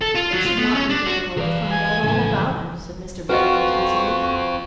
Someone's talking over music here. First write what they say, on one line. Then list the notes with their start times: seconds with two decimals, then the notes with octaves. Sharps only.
"It should not be difficult to find out all about him," said Mr. Briggerland easily.
0.01 A4
0.15 F4
0.32 F#3
0.45 F4
0.58 B3
0.75 C#4
0.89 D4
1.06 F#4
1.37 E3 F#3 G#4 B4 D5 F5
1.71 G#5
2.03 A2 C#3 F3 G#3 A4
3.29 C4 F4 F#4 B4 D#5 C#6